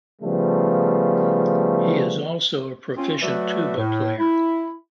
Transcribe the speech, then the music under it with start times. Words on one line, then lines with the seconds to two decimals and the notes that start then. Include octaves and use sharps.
He also is a proficient tuba player.
0.22 C#3 F3 G3 A3 B3
2.97 C4 C#4 F4
3.22 F#3 A3 F#4 B4 D5 E5
3.77 A2
4.18 E4